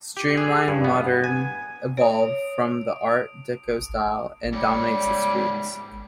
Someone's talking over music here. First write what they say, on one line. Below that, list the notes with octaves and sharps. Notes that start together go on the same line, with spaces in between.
Streamline Moderne evolved from the Art Deco style, and dominates the street.
G4
G#4
G2
B3
G#5
C#5 D#6 D7
G#2 G3 C#5